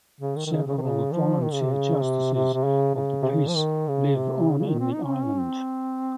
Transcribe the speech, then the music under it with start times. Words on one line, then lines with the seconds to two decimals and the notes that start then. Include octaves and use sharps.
Several volunteer Justices of the peace live on the island.
0.21 C#3
0.36 D#3
0.46 D#3
0.52 C#3
0.67 C#3
0.78 D#3
0.82 C#3
1.12 F3
1.42 D#3
1.53 C#3
1.63 C3
1.74 C#3
2.04 C3
2.34 C3
2.54 C3
2.65 C#3
2.95 C#3
3.23 C3
3.26 C#3
3.48 F3
3.56 D#3
3.88 C#3
4.18 C3
4.49 C#3
4.59 C#3
4.69 D#3
4.79 C4
4.94 D#4
5.04 C#4
5.13 C4
5.23 C#4
5.40 C4